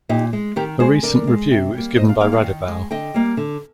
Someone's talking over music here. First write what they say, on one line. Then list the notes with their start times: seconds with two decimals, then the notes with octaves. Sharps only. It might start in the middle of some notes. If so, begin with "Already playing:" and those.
A recent review is given by Radebaugh.
0.09 A#2 D#4 G4
0.33 G#3
0.56 D#3 G4 A#4
0.79 G#3 G#4 C5
1.03 D3 A#4 D5
1.27 G#3
1.51 C3
1.74 G3 A#3
1.97 A#2 C5 D#5
2.08 D5 F5
2.20 G3 A#3 D5 F5
2.32 D5 F5
2.44 D#3
2.68 G#3
2.91 D3 D#5 G5
3.14 G3 A#3
3.37 D3